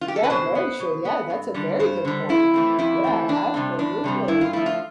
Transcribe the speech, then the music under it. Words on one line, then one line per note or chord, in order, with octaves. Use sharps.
Yeah, very true. Yeah, that's a very good point. Yeah, absolutely.
F4
G4
A4
B4
B2 C5
B3
B2
B3
G2
D3 G3
G2 C5
D3 G3
F2 E4
E3 A3 C4
F2 E4
E3 A3 C4
E2 D4
C3 G3 C4
E2 D4
C3 G3 C4
G2 E4
F4
F3 A3 E4
F4